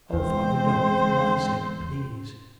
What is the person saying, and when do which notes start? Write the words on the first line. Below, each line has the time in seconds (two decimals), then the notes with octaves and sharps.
'Oh, father, don't, for my sake, please.'
0.13 E2 G#3 C4 C5